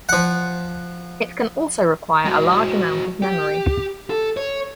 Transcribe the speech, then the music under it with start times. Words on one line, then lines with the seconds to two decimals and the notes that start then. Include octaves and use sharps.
It can also require a large amount of memory.
0.09 F3 F#5
2.25 G#3 F#4
3.22 G4
4.10 A4
4.37 C#5